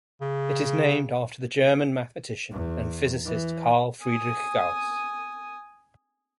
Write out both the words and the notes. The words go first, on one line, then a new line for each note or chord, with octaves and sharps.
It is named after the German mathematician and physicist Carl Friedrich Gauss.
C#3
E2
E3
G#5 D#6